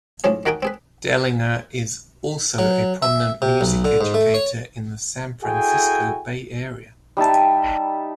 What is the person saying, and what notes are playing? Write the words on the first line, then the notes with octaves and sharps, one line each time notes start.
Dehlinger is also a prominent music educator in the San Francisco Bay Area.
B1 A2 C#3 F3 C#4 G#4
D#3 F#4 A#4 G5 G#5 D#6
C4 G#4 B4
F#3
E5
C3
B1
D3
G#2
A3
C#5
E4 F#4 G#4 A4 G5 G#5
G3 D#4 E5 A5